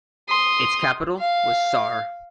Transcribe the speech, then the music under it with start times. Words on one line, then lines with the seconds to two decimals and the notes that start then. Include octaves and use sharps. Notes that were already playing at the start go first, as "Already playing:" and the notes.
Its capital was Sarh.
0.28 C6 D#6
1.19 F5